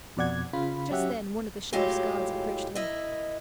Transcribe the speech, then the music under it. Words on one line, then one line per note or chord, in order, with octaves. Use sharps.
Just then one of the Sheriff's guards approached him.
F2 B2 D5 F#5 G#6
C#3 F4 B5
F#3 C#4 G4 E5 F#5
A2 F#3 G#3 F4 G4
E4 A#4 D#5